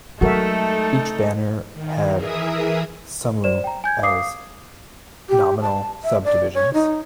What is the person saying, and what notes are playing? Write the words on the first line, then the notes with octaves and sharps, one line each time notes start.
Each banner had sumu as nominal subdivisions.
F#3 G#3 A3 D#4 F#4 A4 A#4 E5
D#3
E3 G#4 A#4 E5 D#6
C5 D5 E7
G5 A#5
G#5 G6 G#6
F5 D6 D#6 C7
G4
A5
E5
D5
C#5
D#4